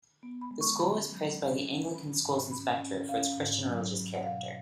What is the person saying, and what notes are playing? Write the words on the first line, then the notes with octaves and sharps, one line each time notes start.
The school was praised by the Anglican schools inspectorate for its Christian religious character.
B3
B5
G#3
C#6
C#4 B5
F#3
C#4
C#4
D#3 B5
G#2
C#4 B5
C#4
C#4 F5
G#2
F#3
F#3
F#5
B2 F5